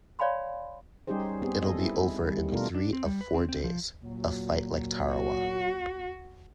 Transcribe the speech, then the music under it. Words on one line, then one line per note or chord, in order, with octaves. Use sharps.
It'll be over in three of four days – a fight like Tarawa.
C#5 D5 F5 G#5 B5 C6
G3 C#4 D#4 G4 G#4 C5
B3 C4 G4 G#4
A4 D#5
E4
D#3 G3
B2 A3 D4 F4 A#4
D4
C4
G3
B4
C4
C4
F3
A#2 F#3
F#4